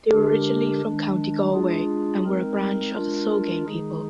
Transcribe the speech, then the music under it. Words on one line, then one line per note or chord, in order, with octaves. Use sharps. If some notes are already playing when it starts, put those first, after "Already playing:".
They were originally from County Galway and were a branch of the Soghain people.
D3 G#3 D4 G4 A#4
D#3 G#3 D4
G#3 D4 F4 G#4
G#3 C4 D#4 A#4
G#3 D4 F4 A#4
D#3 G#3 D#4 G#4